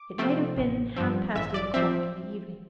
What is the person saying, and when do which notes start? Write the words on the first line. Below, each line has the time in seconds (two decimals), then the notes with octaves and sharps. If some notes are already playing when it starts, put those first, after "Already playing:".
It might have been half-past eight o'clock in the evening.
Already playing: D6
0.18 C3 F3 A3 C4
0.57 A1
0.96 G2 F3 C4
1.35 A1 E5
1.54 D5
1.74 F3 C4 E5